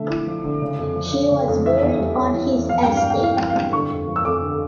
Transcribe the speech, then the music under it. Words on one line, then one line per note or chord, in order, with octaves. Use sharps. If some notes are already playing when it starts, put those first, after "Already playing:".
He was buried on his estate.
Already playing: D3 F3 A3 E5
E4
F3
D3
C#3
F2
F3
C#4
C#3
F2
E3 E5
E2
G3
C#4
E3
E2
F3 F5
G2 G5
F5
A#3
G5
E4 F5
F3 G5
F5
G2
D3 C#6
F2
F3
E6
F2 D6
D3